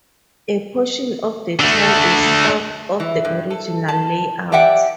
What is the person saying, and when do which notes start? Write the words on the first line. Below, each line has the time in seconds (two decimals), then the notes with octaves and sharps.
A portion of the town is south of the original layout.
1.60 D3 A3
3.00 E3
3.25 G2
3.50 A4
3.88 A5
4.52 G4 D5 E5 F#5 G5